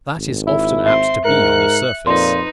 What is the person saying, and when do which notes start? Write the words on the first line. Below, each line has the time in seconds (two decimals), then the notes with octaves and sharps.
That is often apt to be on the surface.
0.16 G#1
0.47 E4
0.86 C4 E5 C6
1.25 G#2 A#4 F#6 C#7
2.07 F2 A#2 D#4 B4 C6